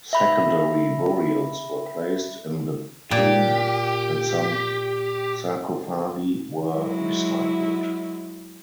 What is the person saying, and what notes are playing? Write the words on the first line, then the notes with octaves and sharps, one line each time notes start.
Secondary burials were placed in the tomb and some sarcophagi were recycled.
E5 B5
A#2 G4
F#3 G#3 E4